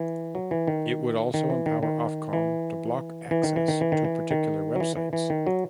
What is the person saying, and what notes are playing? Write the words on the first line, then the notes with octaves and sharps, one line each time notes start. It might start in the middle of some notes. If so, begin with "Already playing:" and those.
It would also empower Ofcom to block access to particular websites.
Already playing: E3
F#3
E3
D#3
D#3
E3
D#3
D#3
E3
E3
D#3
E3
D#3
E3
D#3
E3
D#3
F#3
E3
E3
E3
D#3
F#3